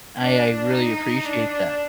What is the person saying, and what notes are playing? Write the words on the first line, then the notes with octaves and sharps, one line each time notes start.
I I really appreciate that.
D4
D#4
D4